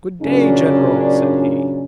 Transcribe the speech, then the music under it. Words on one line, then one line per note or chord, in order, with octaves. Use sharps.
"Good day, General!" said he.
F#2 A#2 C#3 C#4 D4